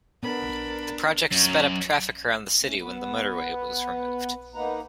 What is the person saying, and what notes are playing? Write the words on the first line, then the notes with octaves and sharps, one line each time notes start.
The project sped up traffic around the city when the motorway was removed.
B3 D4 A#4 B5
F#2
A3 C#4
B3 B4
A#3 D#4 B4 F#5 A#5